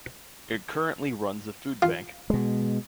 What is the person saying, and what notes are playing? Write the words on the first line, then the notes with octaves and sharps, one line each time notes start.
It currently runs a Food Bank.
F4
B2 G#3